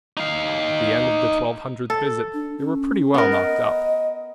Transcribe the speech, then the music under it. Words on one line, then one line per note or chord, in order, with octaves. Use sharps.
At the end of the twelve-hundredth visit they were pretty well knocked up.
D#4 F5
A4
D4
C#4
B3 A#4
D#5